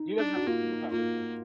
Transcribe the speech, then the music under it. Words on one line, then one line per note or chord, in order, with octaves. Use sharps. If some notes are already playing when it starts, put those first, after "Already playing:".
He doesn't have any superpowers, though.
Already playing: D#4
D4
F#4
A#3 F4
A#3 F4